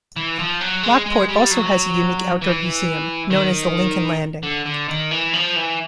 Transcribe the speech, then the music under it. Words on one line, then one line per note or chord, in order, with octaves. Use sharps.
Lockport also has a unique outdoor museum known as the Lincoln Landing.
E3
F3
F#3
G#3
G#3
G3
F#3
E3
D#3
D3
D3
D#3
E3
F3
E3